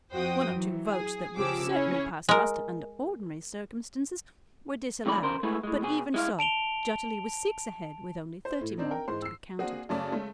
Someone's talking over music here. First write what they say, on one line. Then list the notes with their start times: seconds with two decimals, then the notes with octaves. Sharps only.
One or two votes that would have certainly passed muster under ordinary circumstances were disallowed, but even so Jutterly was six ahead with only thirty more to be counted.
0.11 F2 F3 F#4 C5 G5 D#6
0.50 E3 F#3
0.87 G#4
1.37 C#3 F3 G4 G#4 D6 E6
1.69 C#4 E4 G#4 C#5
2.29 G#3 A#4
5.06 F2 A2 D#3 D5 B5
5.22 C#3 A#4 C5
5.43 G#3 A3 B3 E4 G#4
5.63 A2 G#3
5.82 B2 G#4
6.14 G#3 E4 F5
6.39 A5 D7 F7 G7
8.45 C5
8.61 A2
8.78 C4 D4 D#4
8.91 A#4 G5
9.08 G#2 E3 C5 C6
9.22 E6 C7
9.59 A#3 C4 D4 F#4 G#4
9.89 F#2 C#3 A3 C#4 D5 A5
10.12 G#3 A3 C#4